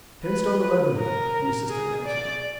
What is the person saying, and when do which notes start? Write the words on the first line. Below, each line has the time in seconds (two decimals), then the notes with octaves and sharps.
"Ten stone eleven," the assistant answered.
0.24 B4
0.97 A#4
1.69 G#4
2.05 D5